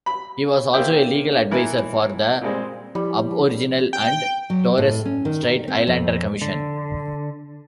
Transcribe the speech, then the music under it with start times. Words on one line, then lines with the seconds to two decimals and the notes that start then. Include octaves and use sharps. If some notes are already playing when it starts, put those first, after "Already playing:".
He was also a legal advisor for the Aboriginal and Torres Strait Islander Commission.
0.06 B5
0.74 A#3 F4 G4 C5 E5 G5
1.51 E3 B3 E4 A#4
2.41 A#2 G3 G#3 C4
2.95 F3 G3 E4
3.93 G5
4.50 F#3
4.78 A2
5.05 C#4
5.25 D#3
5.43 A#4
5.68 C4
5.87 F2
6.42 D3